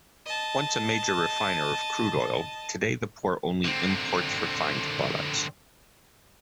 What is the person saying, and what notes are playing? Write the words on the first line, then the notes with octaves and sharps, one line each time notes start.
Once a major refiner of crude oil, today the port only imports refined products.
D#5 A5
D3 C4